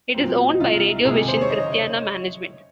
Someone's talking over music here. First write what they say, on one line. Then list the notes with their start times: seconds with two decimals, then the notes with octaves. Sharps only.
It is owned by Radio Vision Cristiana Management.
0.14 A#2 F#3 C4
0.50 D#4
0.60 C2 F4
1.05 C3 D#3 G#3 G#4
1.28 C5
1.41 C#5
1.50 F#1 D#5
1.73 C#5